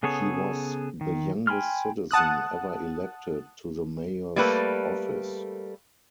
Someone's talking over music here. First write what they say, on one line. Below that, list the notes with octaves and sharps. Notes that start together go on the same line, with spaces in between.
He was the youngest citizen ever elected to the Mayor's office.
C#3 B3 G#4 A4 C#5
D#3
G5 G#5 B5 C6 F6
F#5 A5 D#6 F#6
G3 A3 A#3 A4 B4